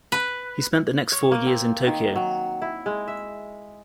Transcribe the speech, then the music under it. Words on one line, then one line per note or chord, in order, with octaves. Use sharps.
He spent the next four years in Tokyo.
B4
C#5
A#3
C4
D#3
F#3
E4
G#3
E5